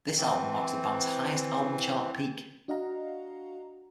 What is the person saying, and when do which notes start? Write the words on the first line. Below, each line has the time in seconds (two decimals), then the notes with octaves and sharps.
This album marks the band's highest album chart peak.
0.17 E3 C4
2.68 D4 F#4 D#5 F5 F#5 A#5